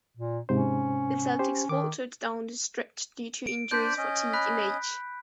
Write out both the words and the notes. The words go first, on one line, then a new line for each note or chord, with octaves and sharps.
The Celtics faltered down the stretch due to injuries, fatigue and age.
A#2
G#2 C3 C#4 C5
G4 C5
D#3 D6
D7
D4 C5 D5 G6 B6
C#4 D#5
B5 F#6 B6